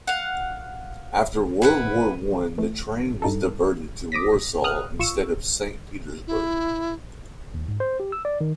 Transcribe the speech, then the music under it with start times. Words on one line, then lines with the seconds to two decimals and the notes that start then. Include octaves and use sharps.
After World War One the train was diverted to Warsaw instead to Saint Petersburg.
0.07 F5 F#5
1.62 E4 B4 F#5
2.58 E3 A3
3.22 G2 D#4 A4
4.12 D6 D#6 A#6 B6
4.64 D#6 F6 F#6
4.99 B1 F4 C#6 E6
6.27 E4
7.54 D#2
7.68 G#2
7.80 C5
8.00 G4
8.12 E6
8.25 D5
8.41 D#3